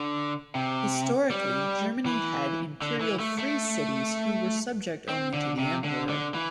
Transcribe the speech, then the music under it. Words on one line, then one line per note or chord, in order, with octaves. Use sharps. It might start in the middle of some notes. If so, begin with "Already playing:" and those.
Historically, Germany had Imperial Free Cities, who were subject only to the Emperor.
Already playing: D3
C3
G3
E3
D3
E3
A3
A3
C4
D3
C3
D3
D3
E3